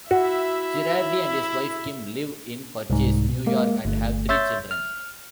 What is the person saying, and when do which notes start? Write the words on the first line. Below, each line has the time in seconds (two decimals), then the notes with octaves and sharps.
Girardi and his wife Kim live in Purchase, New York, and have three children.
0.11 E4 F#4 E5
2.90 C2 G#2
3.30 B2
3.46 G#3 A#3
3.85 G1 A3
4.29 C#5 E5 C6 E6 G6 A6
4.71 F6